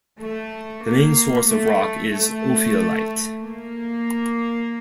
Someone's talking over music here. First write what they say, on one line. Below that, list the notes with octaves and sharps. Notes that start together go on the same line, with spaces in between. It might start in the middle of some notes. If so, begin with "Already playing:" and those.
The main source of rock is ophiolite.
A3
A#3
A3
A3
A#3